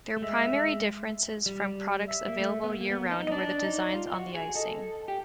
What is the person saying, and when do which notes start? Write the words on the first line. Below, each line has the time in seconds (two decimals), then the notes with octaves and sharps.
Their primary differences from products available year-round were the designs on the icing.
0.17 A3
0.22 G#3 E5
0.53 G#3
1.46 G3
2.07 E5
2.28 A#3
2.39 A3
2.64 B3
2.70 A#3
2.81 A#3
2.90 B3
3.11 D#4
3.27 D#5
3.32 D4 D5
3.63 D#4
3.94 F4
4.07 F4
4.14 F#4
4.35 G#4
4.55 A4 D#5
5.08 G4